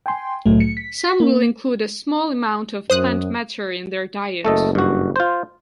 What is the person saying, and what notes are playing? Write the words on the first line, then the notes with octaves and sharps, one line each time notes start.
Some will include a small amount of plant matter in their diet.
G5 G#5 C6
C2 A2 F#3 A3
C#7
B6
A#3
F#2 C5 D#6 F#6
F#1 A3 A4 D#5
G2 F#4
F4 C5